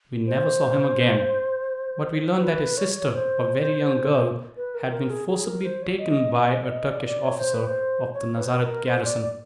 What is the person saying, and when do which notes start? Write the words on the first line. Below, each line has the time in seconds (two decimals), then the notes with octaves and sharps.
We never saw him again, but we learned that his sister, a very young girl, had been forcibly taken by a Turkish officer of the Nazareth garrison.
0.27 C5
2.36 C5
2.42 B4
2.77 C#5
3.14 C5
4.56 B4
4.74 A#4
4.92 A#4
5.10 G#4
5.28 G#4
5.46 A#4
5.63 C5
5.82 C#5
5.99 D#5
6.35 D#5
6.63 D5
6.71 D#5
6.90 D5
7.07 D5
7.24 C#5
7.38 C5
7.53 B4
7.67 C5
8.14 C#5
8.38 B4
8.46 C5
8.52 B4
8.61 A#4
8.85 C5
9.04 D5
9.22 D5